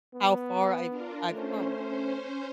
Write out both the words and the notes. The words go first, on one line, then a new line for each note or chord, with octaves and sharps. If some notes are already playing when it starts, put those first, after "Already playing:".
how far I've I've come.
B3
D4 F4 A#4
A3 C#4 C5